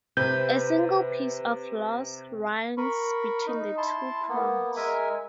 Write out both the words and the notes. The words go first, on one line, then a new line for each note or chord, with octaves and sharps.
A single piece of floss runs between the two prongs.
C3 B4 C5 G6
A#4 B5 C#6
D#4
E4 A5 C6
A#3 B3
G#3 A#4 E5 G#5